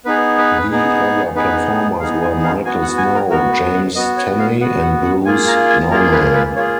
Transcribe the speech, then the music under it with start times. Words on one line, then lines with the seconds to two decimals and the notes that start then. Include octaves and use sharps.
The other performers were Michael Snow, James Tenney and Bruce Nauman.
0.05 B3 D#4 G#4 B4
0.38 B4
0.71 B3 D#4 G#4
1.36 B3 D#4 G#4 B4
2.00 B3 D#4 G#4 F5
2.22 G#5
2.44 F5
2.65 B3 F#4 G#5
2.82 F#5
2.98 G#5
3.14 A#4
3.30 B3 F#4 A#4
3.52 B4
3.74 F#5
3.95 B3 F#4 D#5
4.17 C#5
4.39 F5
4.61 B3 F#5
4.64 F#4
4.82 F#5
5.04 F#5
5.25 A#3 F4 G#4 G#5
5.47 A#5
5.69 G#5
5.90 A#3 F4 G#4 A#4
6.12 B4
6.34 B4
6.56 A#3 F4 G#4 C#5